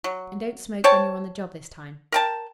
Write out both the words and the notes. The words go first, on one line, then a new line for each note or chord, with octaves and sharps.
And don't smoke when you're on the job this time.
F#3
C5 C#5 G5 A5
A#4 G5 A5